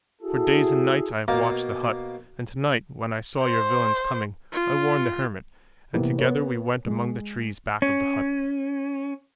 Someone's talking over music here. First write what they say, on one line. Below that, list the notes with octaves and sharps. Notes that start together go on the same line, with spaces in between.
For days and nights I have watched the hut, and tonight, when I saw your villains coming, I warned the hermit, and together we went among the trees back of the hut.
E4 F#4 G#4 A4
B2 A#3 F5 A#5
C5
F4
C3 E3 A#3 B3
B3 A#4 C#5
G#3
C#4